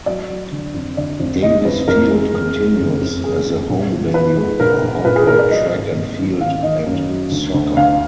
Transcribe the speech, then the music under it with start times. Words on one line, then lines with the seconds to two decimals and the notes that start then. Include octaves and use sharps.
Davis Field continues as the home venue for outdoor track and field and soccer.
0.06 F#3 D5
0.30 F#3
0.52 D3
0.74 F2
0.97 D3 D5
1.20 F2
1.43 D3 D#5
1.65 F2 B4
1.88 F2 A#4
2.11 G#3
2.33 F2
2.56 G#3
2.79 F#1
3.01 F2
3.24 F#1 G#4
3.47 F2
3.69 A#1
3.92 F3
4.14 F3 B4
4.37 G#3
4.60 A#1 A#4
4.82 A#1
5.05 A#2 B4
5.16 G#4
5.27 A#2 A#4
5.39 D5
5.50 F#3 D#5
5.73 G#1
5.95 G#1
6.18 G#1
6.41 D#3 F5
6.63 D#3 D#5
6.86 F#2
7.08 F#3
7.31 D2
7.54 D2
7.77 D2 F5